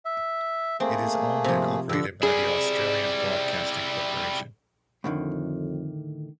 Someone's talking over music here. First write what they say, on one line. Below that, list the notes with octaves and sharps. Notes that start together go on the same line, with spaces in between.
It is owned and operated by the Australian Broadcasting Corporation.
E5
A3 A#3 C4 G#4
C3 F3
F2 D3 E6
C3 G3 E4 G#4 D5
F2 A2 D3 D#3